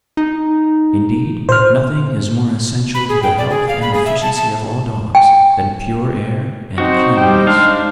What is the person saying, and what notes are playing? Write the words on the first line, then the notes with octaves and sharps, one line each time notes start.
Indeed, nothing is more essential to the health and efficiency of all dogs than pure air and cleanliness.
D#4
A#2 C5 F6
B5
G#4
G5
D5
G#4
F5
B5
G#4
E5
A5
A5
G5
C4 D#4 F#4 C5
G3 G5
G#3 D4 F5